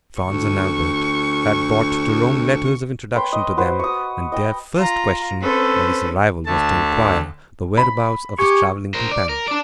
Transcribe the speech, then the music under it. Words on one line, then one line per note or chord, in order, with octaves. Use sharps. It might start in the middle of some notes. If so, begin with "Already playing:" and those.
Franz and Albert had brought to Rome letters of introduction to them, and their first question on his arrival was to inquire the whereabouts of his travelling companion.
D2 C#6
B4 C#5 G5 C6
D#5
F#4 B4 C5
C#6 D#6
D#5 G5
F4 A#5
C4 C#4 A4 B4 C5
D2 A3 A5
B5
G4 G#5 C#6
A#4 C5
D5
A#4
D4 D5